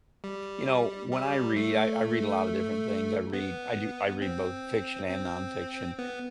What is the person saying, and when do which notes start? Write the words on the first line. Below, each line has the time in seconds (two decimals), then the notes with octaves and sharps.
you know, when I read, I I read a lotta different things, I read I do I read both fiction and nonfiction,
0.24 G3
1.12 G3
1.56 A3
3.33 B3
4.22 C4
5.10 C4
5.99 B3